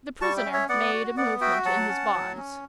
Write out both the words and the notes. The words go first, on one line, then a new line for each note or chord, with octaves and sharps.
The prisoner made a movement in his bonds.
G3 A5 C#6
E5 G5
C#4
C#5 E5
B3 D5 F#5
F#4
B3 D5 F#5
F#4 E5 G5
F#3 F#5 A5
C#4
F#3
C#4